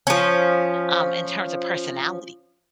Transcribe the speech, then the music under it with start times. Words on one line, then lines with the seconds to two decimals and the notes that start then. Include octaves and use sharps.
um, in terms of personality.
0.07 F3 C#4